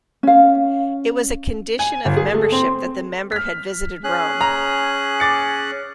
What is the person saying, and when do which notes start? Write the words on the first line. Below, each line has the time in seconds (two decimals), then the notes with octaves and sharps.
It was a condition of membership that the member had visited Rome.
0.23 C#4 F5
1.79 G#5
2.05 G1
2.17 G#4
2.34 A3
2.52 C4
3.32 F6 B6
4.04 C#4 G#4 F#6
4.41 A#5
5.20 D6 A6 C#7